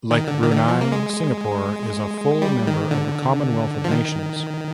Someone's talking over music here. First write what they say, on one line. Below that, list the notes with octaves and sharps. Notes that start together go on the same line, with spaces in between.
Like Brunei, Singapore is a full member of the Commonwealth of Nations.
D#3
D3
D#3
D3
D#3
F3
A#3
G#3
G3
D#3
D3
F3
D#3